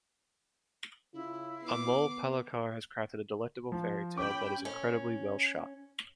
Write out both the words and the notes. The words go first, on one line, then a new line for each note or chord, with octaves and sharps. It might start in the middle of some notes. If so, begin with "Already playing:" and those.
Amol Palekar has crafted a delectable fairytale that is incredibly well-shot.
C#3 E4 F4
B3 D6 C7
F3
C#4 G5 B5 D6
C#4